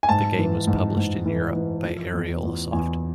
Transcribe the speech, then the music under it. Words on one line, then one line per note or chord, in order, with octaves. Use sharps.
The game was published in Europe by Ariolasoft.
G#5
G#2 A5
E3
G#2
G#2
E3
E3
F3
E2
E2
E2 G#5